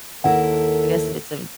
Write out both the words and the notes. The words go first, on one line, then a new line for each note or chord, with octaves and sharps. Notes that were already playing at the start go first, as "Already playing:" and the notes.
I guess if it's a
D#2 E4 A4 A#4 F#5